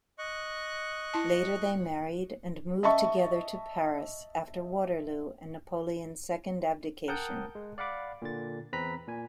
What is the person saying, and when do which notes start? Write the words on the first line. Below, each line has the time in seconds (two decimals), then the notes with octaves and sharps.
Later they married and moved together to Paris after Waterloo and Napoleon's second abdication.
0.18 D#5 C#6 F#6
1.14 E4 A5
2.83 D#5 E5 A5 C#6
7.08 A#4 F#5 G5 A5 D#6 G6
7.55 G#3
7.78 D5 F5 F#5 B5 D6
8.22 A#2 D3 A6
8.73 E2 C4 B4 A#5 B5 B6
9.08 A#2 G#5